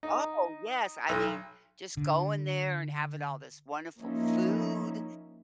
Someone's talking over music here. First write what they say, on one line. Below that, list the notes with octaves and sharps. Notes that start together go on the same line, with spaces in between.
Oh, yes, I mean just going there and having all this wonderful food,
D#4
B1
D3
F3 A#3 C#4 D#4 E4